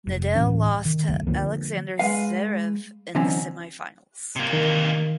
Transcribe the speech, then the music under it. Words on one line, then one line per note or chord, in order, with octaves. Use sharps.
Nadal lost to Alexander Zverev in the semifinals.
F1
D1 A2 E3 C#4
D#3
F#1 C#2 A3
D3 E3 F3 A#3
G#3 B4 F5
D3 E3 F#3 C4 C#4 D#4
C3 A#3
D#3